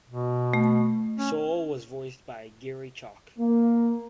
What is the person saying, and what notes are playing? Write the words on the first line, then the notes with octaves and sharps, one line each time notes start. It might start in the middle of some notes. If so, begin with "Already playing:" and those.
Sol was voiced by Garry Chalk.
B2
A3
C#4
A#3